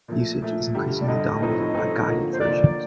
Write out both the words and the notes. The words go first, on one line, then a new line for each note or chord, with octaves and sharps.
Usage is increasingly dominated by guided versions.
A#2 F3 A3
A#2 F3 A3
G2 D3 G3
D5
G2 D3 G3 D#5
A2 F3 C4 D#4 A4
A2 F3 C4 D#4 A4
D3 F3 A#3
C5
D3 F3 A#3 D5